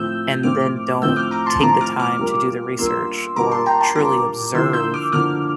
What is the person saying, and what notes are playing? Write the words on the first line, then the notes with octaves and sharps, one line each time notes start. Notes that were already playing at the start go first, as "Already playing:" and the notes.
and then don't take the time to do the research or truly observe
Already playing: A2 F3 C4 E6 G6
A2 F3 C4 D6 F6
A2 F3 C4 E6 G6
D6 F6
A#5 D6
A5 C6
A2 F3 C4 A#5 D6
D6 F6
D6 F6
G3 A#3 F4 A#4
G3 A#3 F4 A#4 C6 E6
G3 A#3 F4 A#4 A#5 D6
A5 C6
G5 A#5
A5 C6
G3 A#3 F4 A#4 A#5 D6
D3 F3 A#3 E4 C6 E6
E6 G6
D6 F6
D3 F3 A#3 E4 D6 F6